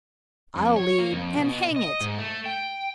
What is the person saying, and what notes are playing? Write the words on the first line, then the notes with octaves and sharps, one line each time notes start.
I'll lead, and, hang it!
F2
C#5
A#3
F2
B2
D#5
G#2
A3
G5